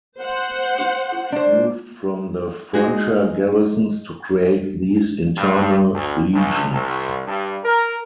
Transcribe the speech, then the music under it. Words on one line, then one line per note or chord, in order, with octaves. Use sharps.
Men had to be removed from the frontier garrisons to create these internal legions.
C5 F#5
D4 C5
G#3 D#4 F#4 G#4
G2
D2
C#2
C2
G2
A#4